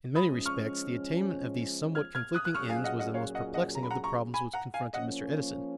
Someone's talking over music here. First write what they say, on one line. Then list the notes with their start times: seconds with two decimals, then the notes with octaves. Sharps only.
In many respects the attainment of these somewhat conflicting ends was the most perplexing of the problems which confronted Mr. Edison.
0.15 F3 G#3 C#4 B5 D#6
0.46 C#6 F6
1.95 F6 G#6
2.15 F6 G#6
2.34 D#6 F#6
2.45 F#6
2.55 A#2 F#3 C#4 F4 G#4 C#6 F6
2.69 F5 G#5
2.84 D#5 F#5
2.99 D#5 F#5
3.14 C#5 F5
3.35 D#5 F#5
3.54 D#5 F#5
3.75 A#5
3.83 B5
3.91 F#5 A#5
4.04 A#5 C#6
4.34 G#5 B5
4.53 F#5 A#5
4.74 F5 G#5
4.93 F3 A#3 C#4 D#5 F#5